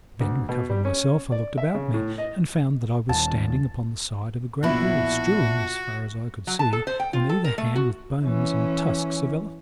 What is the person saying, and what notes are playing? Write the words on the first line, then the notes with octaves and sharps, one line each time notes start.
Then, recovering myself, I looked about me, and found that I was standing upon the side of a great hill, strewn as far as I could see on either hand with bones and tusks of elephants.
D2
B2
G3
C#4
D5
E5
C#3
A2
D#5
D#2 D#3 G3 A5
A#1 B2 D4 E4 F#4
F#3
A5
A4
C5
G5
F4
A4
A#4
A3
F#4
E3 C#4